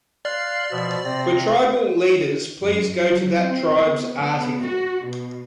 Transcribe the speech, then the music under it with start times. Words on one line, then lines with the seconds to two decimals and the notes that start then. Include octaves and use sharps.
For tribal leaders, please go to that tribe's article.
0.25 D5 F5 C6 F#6
0.71 B2 F3 E5
1.05 C3 C4 A#6
2.63 F#2
2.94 F#3
3.40 C4
3.80 B3
4.20 B3
4.62 F#4
5.05 B2